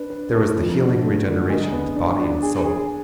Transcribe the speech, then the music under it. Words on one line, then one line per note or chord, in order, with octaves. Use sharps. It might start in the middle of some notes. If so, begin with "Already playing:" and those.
There was the healing regeneration to body and soul.
Already playing: D4 B4
B4
A3
F2
D3
A3
D3
G#3
B3
D4
D4
G#4
G#4